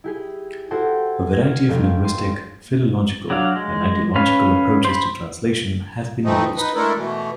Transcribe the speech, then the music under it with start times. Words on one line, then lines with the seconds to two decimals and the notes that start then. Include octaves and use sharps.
A variety of linguistic, philological and ideological approaches to translation have been used.
0.04 E4 G4 G#4
0.71 E4 F#4 G4 A4 C5 G5
1.32 F6 G#6 A#6
1.69 F1 C4 F5 G5
2.05 C6
3.30 F#3 D4 F#4 F5
3.55 G#3
4.15 C#4 B4 F5
4.85 C5 B5
6.24 E3 F3 A3 C4 D#4
6.56 D#4 B4
6.75 G#3 A3 D4 E4 A4 A#4
6.96 B2 E3 A3